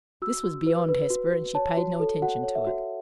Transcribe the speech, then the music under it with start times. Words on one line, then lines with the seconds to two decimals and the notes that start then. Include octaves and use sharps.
This was beyond Hesper, and she paid no attention to it.
0.22 F#4 E6
0.44 F#4
0.66 B4
0.88 B4
1.10 F#4
1.32 F#4
1.55 C#5 A5
1.77 F#4
2.00 A4
2.22 F#4 F#5
2.43 C#5
2.55 E5
2.67 F#4